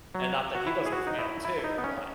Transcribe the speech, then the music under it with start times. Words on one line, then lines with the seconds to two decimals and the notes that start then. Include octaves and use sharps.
and not that he doesn't fail too, but
0.15 F#3
0.55 F#4
0.67 E4
0.86 G#4
0.92 F#4
1.07 D#4
1.19 E4
1.45 E4
1.64 D#4
1.78 B3
1.84 C#4